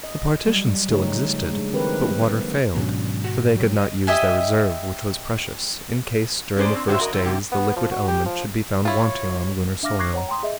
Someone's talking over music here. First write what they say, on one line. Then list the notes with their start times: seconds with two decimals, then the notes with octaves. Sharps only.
The partitions still existed, but water failed, for they could not use their reserve, which was precious, in case during the first days the liquid element should be found wanting on lunar soil.
0.04 D#5
0.45 F#3 G3
0.89 C#3 F3 A3 D#4 G4 C#5
1.52 G#3 D4
1.73 D#3 C4 D4 G4 A#4 B4
1.98 F#3 A#3
2.75 G#2 B2 D#3 F#3 C#4 D4
3.24 F#4 G4 F#5
3.55 F#3 G4
3.78 D#5
4.07 G4 D#5 E5 G#5
6.56 C#4 D4 G#4 A4 C5 D5
6.75 C4
6.88 F#4 G4 C5 C#5 D#5 E5
6.99 F#4 A#4 D#5
7.13 E3 F3 G3
7.25 G#2 C3 G4
7.52 B3
7.76 F3
7.91 F#4
8.08 G4
8.26 F3
8.85 E4 F4 C#5
9.83 D4 E5 F5 D6 F6 A#6
9.99 C#6 D6 F#6 G#6 A#6 C7
10.14 C#5 F#5 A#5
10.28 G5 A#5 C6 D#6
10.43 G#4 D#5 E5